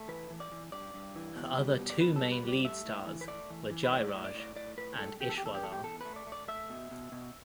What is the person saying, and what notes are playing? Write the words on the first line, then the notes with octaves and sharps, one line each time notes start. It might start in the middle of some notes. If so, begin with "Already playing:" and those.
Her other two main lead stars were Jairaj, and Ishwarlal.
Already playing: A3
E3 B4
E3
D5
E3
G2 D5
G2
E3
B2
G3
B2
D5
B2 B4
A4
G3
B4
G3
D5
A3 E5
A2
E3
B4
A3 D5
E3
E3
B4
A2 D5
D5
A2
D5
A2
D5
A2 D5
A2 B4
G3 A4
E2 G4
A4
G4
E2 A4
G4
E2 A4
G4
E2 A4
A3 B4
D5
A3
D5
A3 E5
B2
B2
B2